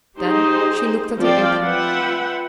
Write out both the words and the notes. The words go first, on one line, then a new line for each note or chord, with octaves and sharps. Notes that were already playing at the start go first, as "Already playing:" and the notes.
Then she looked at the apron.
D#4 G4 G#4 C5 D#5
F3 C4 D5 F5 G5
F4 B4 E5 F#5 G5